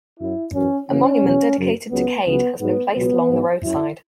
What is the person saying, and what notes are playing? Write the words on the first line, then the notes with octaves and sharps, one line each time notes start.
A monument dedicated to Cade has been placed along the roadside.
F#2 F#3 E4
F#2 E3 C#4
F#2 C#3 E3 C#4
E2 B2 F#3
F#2 C#3 F#3
C#2 C#3 F#3 B3
C#2 C#3 F#3 B3
G#2 F#3 B3
C#2 B2 F#3 B3
G#2 F#3
F#2 F#3 E4